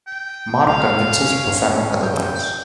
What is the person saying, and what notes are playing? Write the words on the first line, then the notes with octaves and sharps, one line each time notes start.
Mark convinces Boffano otherwise.
G5
F5
C#4
G5